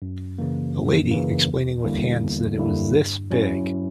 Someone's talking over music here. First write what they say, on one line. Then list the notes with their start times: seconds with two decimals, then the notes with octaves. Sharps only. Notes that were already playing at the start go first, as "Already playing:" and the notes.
A lady explaining with hands that it was this big.
0.02 F#2
0.38 C#3 E3 A#3
0.75 F#2
1.11 C#3 E3 A#3
1.48 E2
1.84 D3 G3 A#3 E4
2.21 E2
2.58 D3 G3 A#3 E4
2.94 G2
3.31 F#3 C#4 E4